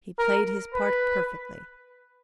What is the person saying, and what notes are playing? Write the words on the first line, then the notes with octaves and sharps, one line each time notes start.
He played his part perfectly.
A#4
B4